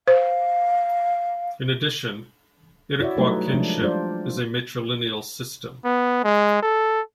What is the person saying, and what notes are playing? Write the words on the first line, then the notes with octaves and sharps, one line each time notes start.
In addition, Iroquois kinship is a matrilineal system.
C5 F5
E4 F#4 C#5 D5 E5
F#3 G3 A3 D#4 B4
F3 G#3 D4
G3 D4 F4 C5 D5
B3
G#3
A4